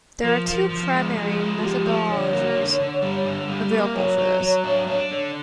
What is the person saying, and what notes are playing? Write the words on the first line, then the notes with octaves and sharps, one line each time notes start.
There are two primary methodologies available for this.
F3 A#4
F3
F3
G#3
F3 G#4
G#3
F#4
F3 G4
F3
D3 C#5
A#3
D3
D3
G3
D3
G3
A#3
F#3 C#5
F#3
F#3
D4
D4
D3